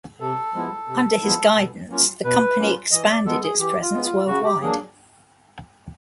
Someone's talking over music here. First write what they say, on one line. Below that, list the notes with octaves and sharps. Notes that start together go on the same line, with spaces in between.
Under his guidance, the company expanded its presence worldwide.
C3 A4
F3 G#3 B3 E4
C3
F3 G#3 B3 E4
B2
F#3 A#3 C#4 F4
B2 B4
F#3 A#3 C#4 F4
E3 D#5
D5
G#3 B3 A4
G#4
E3 G4
F4
G#3 B3
F4
C#3 F#4
G4
F#3 A#3 D4 G#4